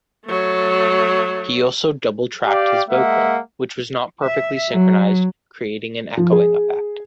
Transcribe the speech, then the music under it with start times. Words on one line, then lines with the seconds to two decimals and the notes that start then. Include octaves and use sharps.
He also double-tracked his vocal, which was not perfectly synchronised, creating an echoing effect.
0.26 F#3 A3
2.46 G4 D5 F5 G5
2.89 G#3 A#3 E5 F#5
4.24 E5
4.70 F#3
6.17 F3
6.32 G#4